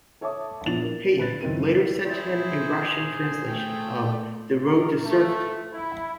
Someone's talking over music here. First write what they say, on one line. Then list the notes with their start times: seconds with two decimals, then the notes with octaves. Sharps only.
Hayek later sent him a Russian translation of "The Road to Serfdom".
0.21 A4 C#5 E5 A5 D6 D#6
0.66 A#1 E3 B3 D4 A6 F7
0.82 A#4
1.17 D3 B4 A6
1.41 F#1 D#3 E3 C4 A#4 D#7
2.06 E4 G#4 C5
3.47 A3 G5
4.65 A#4
5.05 A3
5.72 E4